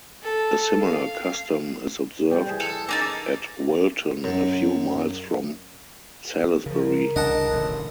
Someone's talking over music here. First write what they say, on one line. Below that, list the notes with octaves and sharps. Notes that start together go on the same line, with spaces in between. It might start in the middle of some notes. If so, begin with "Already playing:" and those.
A similar custom is observed at Wilton a few miles from Salisbury.
A4
F5
G3 G4
E3 G#4 C5
A4
A#3 C#4 D#4 A5
F#2
C#3 F3 A#4
C2 C#3 D4 D#5 F#5 A5
D#1 A1 D3